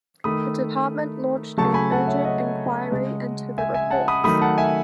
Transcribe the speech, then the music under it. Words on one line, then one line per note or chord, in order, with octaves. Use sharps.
The Department launched an urgent inquiry into the reports.
D#3 A3 B5 D#6
C#3 F#3 A3 A5 C#6
G#5 B5
F#5 A5
C#5 E5
D#5 F#5
C#3 G#3
E5 G#5
E5 G#5
F#5 A5
B5 D#6
D#3 F#3 A3 B5 D#6
F#5 A5
E5 G#5